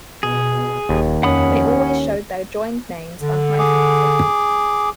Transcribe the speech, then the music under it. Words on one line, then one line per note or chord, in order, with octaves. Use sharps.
They always showed their joined names unhyphenated.
B2 G#4
D#1 D#2
F2 C#4 F#5 B5 D#6
D3
G#4 D6